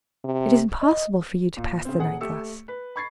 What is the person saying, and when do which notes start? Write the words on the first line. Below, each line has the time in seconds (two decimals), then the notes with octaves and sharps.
It is impossible for you to pass the night thus.
0.25 C3
0.82 D#5
1.57 A#2
1.85 C#3 C4
1.99 D#1 G#4 F#5
2.21 A3 G4 E6 C#7
2.68 B4
2.96 B5 C#6 G#6 A6 C7